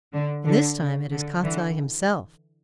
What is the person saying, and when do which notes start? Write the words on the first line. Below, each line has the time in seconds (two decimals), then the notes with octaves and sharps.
'And this time it is Kostiei himself.
0.14 D3
0.46 D3
0.79 C#3
1.12 D3
1.44 D3 E3